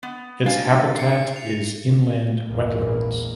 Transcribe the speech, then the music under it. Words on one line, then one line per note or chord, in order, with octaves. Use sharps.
Its habitat is inland wetlands.
B3
D4 F5 G#5 A6
C7 C#7
F7
A#1 E2 G#2 A#3